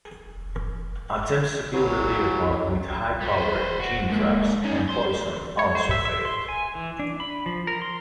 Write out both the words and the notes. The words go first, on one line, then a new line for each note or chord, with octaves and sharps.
Attempts to kill the leopard with high powered gin traps and poison also failed.
E3 F#3
G3 F#4
B4 C5
F#4
G#2 A#3
D#3 C#4
C5 C6
C#5
C5
E5
E5
C6
G#5
E3
D4
B5
F3
A#4
C6